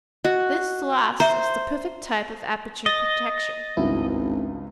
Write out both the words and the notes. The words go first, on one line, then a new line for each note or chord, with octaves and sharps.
This last is the perfect type of aperture protection.
F#4 D#5
C5 E5 A#5
D#5 A6 A#6
G#1 C#2 G2 E4 F#4